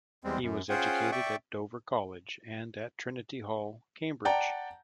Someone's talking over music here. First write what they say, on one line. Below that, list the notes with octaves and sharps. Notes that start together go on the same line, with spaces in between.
He was educated at Dover College and at Trinity Hall, Cambridge.
E2 G3 G#3 C4
F#2
C#4 F4 G#4 C5 F#5 G5
D5 E5 G5 C#6
D5 F#5 G5 A5 A#5